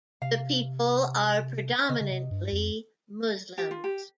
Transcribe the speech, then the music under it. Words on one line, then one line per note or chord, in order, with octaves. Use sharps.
The people are predominantly Muslims.
C3 F5
C#3 D#5
C#3
C3
G2
F2
G4
F4
G4